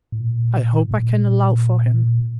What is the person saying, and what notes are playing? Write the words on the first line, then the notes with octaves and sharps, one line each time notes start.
I hope I can allow for him.
A2
A#2
A2
A#2